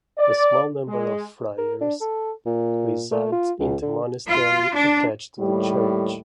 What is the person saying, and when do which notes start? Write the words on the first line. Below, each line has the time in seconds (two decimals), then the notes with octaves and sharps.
A small number of Friars reside in the monastery attached to the church.
0.18 D5
0.87 G#3
1.58 A#4
1.81 D4
2.01 A4
2.46 A#2
3.11 A3
3.32 F4
3.59 C#2
3.82 D3
4.28 F4
4.74 D4
5.39 D#2 A2 G3